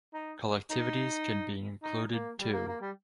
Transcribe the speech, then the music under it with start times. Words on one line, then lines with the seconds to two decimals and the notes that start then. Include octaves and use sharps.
Collectivities can be included too.
0.13 D#4
0.70 D#4
1.83 D#4
2.11 A#3
2.39 G3
2.53 A#3
2.68 A#3
2.81 G3